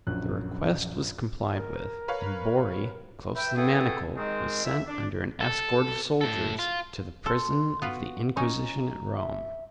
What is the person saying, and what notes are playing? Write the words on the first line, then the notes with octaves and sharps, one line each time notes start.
The request was complied with; and Borri, closely manacled, was sent under an escort of soldiers to the prison of the Inquisition at Rome.
A#1 F#2 C#4 F#6
A#4
B4 C#5 F5
B4 E5 G5
E3 A3 B3 C4 G#4 A4
D#3 G#3 C4
C#2 E5
D4
A4
A2 A4
F4
A4 C6
B3 F4 F#4 B4
C#4 D#4 A#5
E5